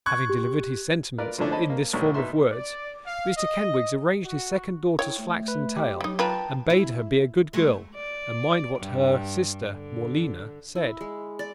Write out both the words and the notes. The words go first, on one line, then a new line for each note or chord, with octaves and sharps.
Having delivered his sentiments in this form of words, Mr Kenwigs arranged his second daughter's flaxen tail, and bade her be a good girl and mind what her sister, Morleena, said.
C#6 F#6 G#6
G4
F4 A#4 B4 D5
D3 F3 A3 C#4 D4 E4
C5 C#5 D#5 A5 B5
A#3
B1 A3 B3 D4 C#5 C#6
B2 B3 D#4 E5 C6
D5
F5
D#5
F#4
E4 C#5 G5
A3
B4
G4
F#3 G3 D#4
F4 B4 G5 A5 A#5
E4
F#3 G#3 A3
D5
G2
D3
E4
G#3
D5